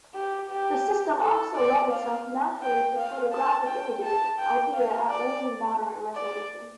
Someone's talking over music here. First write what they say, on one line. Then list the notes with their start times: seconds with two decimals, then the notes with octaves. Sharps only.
The system also lent itself naturally to photographic images, albeit at only moderate resolution.
0.14 G4
0.49 G4
1.20 A4
1.55 D5
1.91 F5
2.62 G5
2.97 F5
3.32 A5
3.67 G5
4.03 A5
4.39 G5
4.74 F5
5.10 D5
6.15 D5